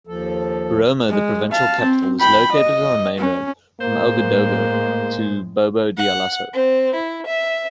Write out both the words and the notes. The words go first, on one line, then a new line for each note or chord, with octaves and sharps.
Boromo, the provincial capital, is located on the main road from Ouagadougou to Bobo-Dioulasso.
D#2 F3 A4
G#3
F5 A5
C4
G5 B5
D#5
C#4
A2 G#3 A#3 C5
F#5
C4
E4
E5